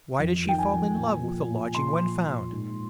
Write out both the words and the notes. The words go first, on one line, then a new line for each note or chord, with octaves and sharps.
Why did she fall in love with the lodging when found?
F2
D#3 G5
G#5
F2
A#2
F3
A#2
A#2 C6
F3
A#2
G#2